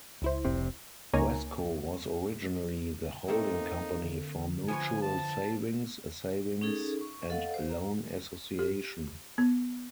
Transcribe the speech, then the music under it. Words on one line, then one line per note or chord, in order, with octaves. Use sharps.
Wesco was originally the holding company for Mutual Savings, a savings and loan association.
C#2 E4 C5
F1 C3 C4
C#2 A#3 D#4 C#5 G#5 A#5
A3 A#3 C4 D#4
D3
F3 B4 C#5 G#5
A5
C#4 D#4 G#4 A4
C#6
A4 D#5 F5 F#5
C5
A#5
G4
B3